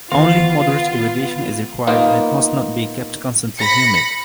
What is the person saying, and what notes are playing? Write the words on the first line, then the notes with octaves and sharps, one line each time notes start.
Only moderate irrigation is required and it must not be kept constantly humid.
D#3 B3 F4 F5
A#3 B3 D#4 F4
B5 A#6 C#7